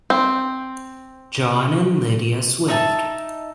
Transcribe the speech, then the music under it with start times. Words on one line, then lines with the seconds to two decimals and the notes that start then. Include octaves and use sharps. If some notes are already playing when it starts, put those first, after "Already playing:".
John and Lydia Swift.
0.10 C4
2.68 D#4 E5 A5